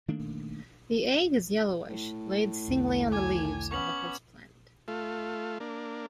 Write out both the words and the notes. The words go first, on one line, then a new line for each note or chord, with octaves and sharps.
The egg is yellowish, laid singly on the leaves of a host plant.
D#3 A3 A#3 D4
A2
B1 E2 D3
G#5 D6 G#6
B3 C#4 C#6 F7 F#7
A3 F4
A#3 D4